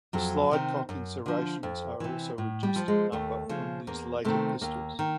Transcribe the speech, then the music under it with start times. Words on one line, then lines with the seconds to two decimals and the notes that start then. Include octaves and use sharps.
The slide cocking serrations are also reduced in number on these later pistols.
0.13 F2 F#3
0.51 C3 D#3
0.89 F#2
1.26 D3 F3
1.63 F2
2.00 C3 E3
2.38 A2
2.63 G3
2.76 F3
2.88 G#3
3.12 D#2 A3
3.49 C#3 F3
3.87 E2 A#3
4.25 C3 D#3 A3
4.61 D#2 A#3
4.99 D#3